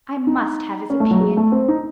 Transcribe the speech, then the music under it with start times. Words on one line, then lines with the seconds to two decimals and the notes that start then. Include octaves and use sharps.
I must have his opinion.
0.27 D#4
0.90 C#4
1.00 A3
1.11 F#3
1.21 G#3
1.37 A3
1.52 C4
1.68 D#4